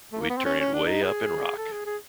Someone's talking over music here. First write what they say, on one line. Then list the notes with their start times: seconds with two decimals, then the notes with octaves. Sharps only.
We'd turn it way up and rock.
0.12 A3
0.20 A#3
0.29 B3
0.37 C4
0.45 C#4
0.60 C#4
0.74 D4
0.88 D#4
1.02 G#4
1.57 A4
1.72 G#4
1.85 G#4